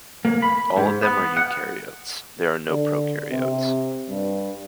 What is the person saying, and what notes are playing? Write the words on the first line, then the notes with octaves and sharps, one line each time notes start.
All of them are eukaryotes, there are no prokaryotes.
A#3
B5
G#2
B3
F#5
D3
C3
G2